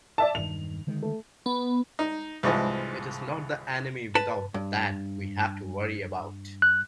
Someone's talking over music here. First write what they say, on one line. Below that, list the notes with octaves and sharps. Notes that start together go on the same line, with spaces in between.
It is not the enemy without that we have to worry about.
D5 E5 A5
E1 G2 D#3 F7
D3 D#3 G#3
A3
B3
D#4
C2 G#2 E3 F3 G#3
B4 A5
G2
F#6